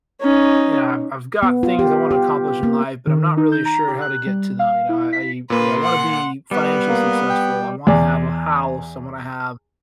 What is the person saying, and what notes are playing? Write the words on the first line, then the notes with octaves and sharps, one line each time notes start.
you know, I've I've got things I wanna accomplish in life, but I'm not really sure how to get to them. You know? I I wanna be financially successful. I wanna have a house. I wanna have
C#4 D#4
B3
F4
G4
G4
A#3
D#3
D#4
G6
A#5
G4
F#6
G3
F5
E4
B6
A#2 A#3 B4 C6
F#5
G3 B3
A#3
G5
E2 D5